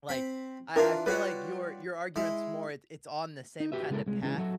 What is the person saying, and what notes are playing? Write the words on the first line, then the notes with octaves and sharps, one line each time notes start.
Like, I I feel like your your argument's more it it's on the same kinda path,
C4 B5
E3 D4 F4 A#4
G3 F4 F#4 B4 C#5
G#3 E4
D#4
F#4 G4 B4 E5
C#3 G#3 B3 E4 A4 A#4
C2 G#3
C#3 E3 G#3
F#3 F#4 A4 E5